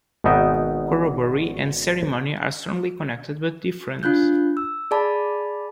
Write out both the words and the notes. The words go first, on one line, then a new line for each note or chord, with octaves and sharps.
Corroboree and ceremony are strongly connected but different.
G#1 B2 B3 D#4 E5 G5
D4 F4 F#6 G6
E6
G#4 D5 A5 B5